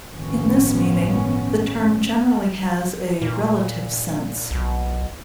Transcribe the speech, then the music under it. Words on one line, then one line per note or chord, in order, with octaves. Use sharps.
In this meaning, the term generally has a relative sense.
G1 A2 D#3 F3 B3 C#4
A#2
B1